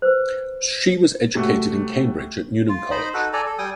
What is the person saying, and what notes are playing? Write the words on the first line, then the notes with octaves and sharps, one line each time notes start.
She was educated in Cambridge at Newnham College.
B4 C5
C3 A3 F#4
F4
D#4 C5 D#5 B5
D#4 F#4 A4 B4
A4 D5 G#5 A#5
A4
G3 G5 G#5 D#6